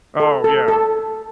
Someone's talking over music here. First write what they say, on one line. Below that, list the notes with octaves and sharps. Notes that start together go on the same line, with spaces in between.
Oh, yeah.
A4
A4
A4